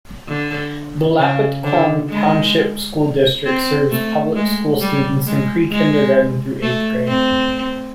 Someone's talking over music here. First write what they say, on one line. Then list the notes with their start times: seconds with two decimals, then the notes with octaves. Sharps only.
The Lopatcong Township School District serves public school students in pre-kindergarten through eighth grade.
0.28 D3
1.19 C#3
1.64 D3
2.10 G#3
3.46 C4
3.91 A3
4.36 G#3
4.81 G3
5.27 G#3
5.72 G#3
6.62 A3
7.08 C4